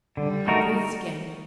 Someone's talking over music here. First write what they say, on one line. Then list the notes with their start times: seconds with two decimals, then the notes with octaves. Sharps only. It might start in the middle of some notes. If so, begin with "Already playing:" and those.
I breathed again.
0.17 D3 G3
0.48 A3 D#4 F#4 A#4